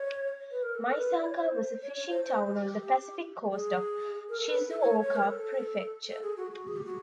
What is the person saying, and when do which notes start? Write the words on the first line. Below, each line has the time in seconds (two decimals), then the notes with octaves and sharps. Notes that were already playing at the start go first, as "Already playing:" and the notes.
Maisaka was a fishing town on the Pacific coast of Shizuoka Prefecture.
Already playing: C#5
0.51 B4
0.63 A#4
0.75 A4
0.91 A#4
0.96 B4
1.17 D5
1.29 C#5
1.39 C5
1.82 C#5
1.95 C#5
2.10 C5
2.25 C5
2.46 G4
3.52 G#4
4.29 A#4
4.39 A4
4.48 B4
4.70 A4
4.81 C#5
5.02 C#5
5.16 A#4
5.24 A4
6.09 A4
6.23 G#4
6.37 F#4
6.51 F#4
6.68 G#4
6.77 G4
6.85 F#4